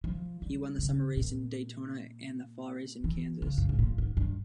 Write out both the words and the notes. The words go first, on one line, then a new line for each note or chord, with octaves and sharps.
He won the summer race in Daytona and the fall race in Kansas.
F3
G3
C#3
A#2
E3
C#3
G2
G#2
A#2
G#2
G2